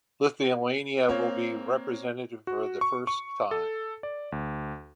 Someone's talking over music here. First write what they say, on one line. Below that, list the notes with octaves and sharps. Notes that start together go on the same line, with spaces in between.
Lithuania will be represented for the first time.
A#3 C4 C#5
F#4
C#6
C#6
A4
D5
D2